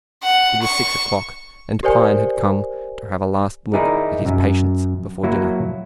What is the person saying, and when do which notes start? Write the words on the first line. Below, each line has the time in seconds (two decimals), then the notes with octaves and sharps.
It was six o'clock, and Pine had come to have a last look at his patients before dinner.
0.23 F#5
0.62 C#6
1.83 G4 A#4 C5 D5 G#5
3.73 D#4 E4 G#4 A#4 D5
4.25 F#2
5.23 F#3 A#3 E4 F#4